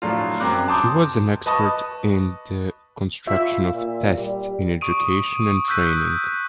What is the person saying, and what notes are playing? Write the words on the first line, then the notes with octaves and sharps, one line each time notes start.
He was an expert in the construction of tests in education and training.
A2 F3 F#3 D4 F4
F#2 C4 G5 A#5 D6 F#6
A5 A#5 C6 D6 D#6 G6
B4 D#5 A5 C#6 D#6
F4 E5
A#2
G3
C#6 D#6 D7 D#7
E6 F#6 G6 B6 D#7